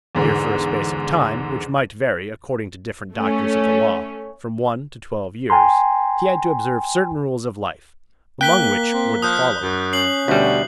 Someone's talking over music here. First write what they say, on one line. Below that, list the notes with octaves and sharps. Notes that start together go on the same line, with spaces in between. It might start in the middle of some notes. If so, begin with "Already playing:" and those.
Here for a space of time, which might vary, according to different doctors of the law, from one to twelve years, he had to observe certain rules of life, among which were the following.
E2 G#2 D3
A3 C#4
G5 G#5 A#5 C6
A#3 G5 F#6 B6 G7
C4
F3 D#6 F#6 G6
F#2
C#4 C7 F#7
D2 B2 G3